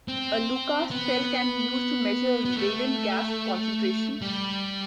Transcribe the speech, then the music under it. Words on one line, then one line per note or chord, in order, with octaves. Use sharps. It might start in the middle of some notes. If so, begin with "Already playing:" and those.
A Lucas cell can be used to measure radon gas concentrations.
C4
B3
B3
A3
G3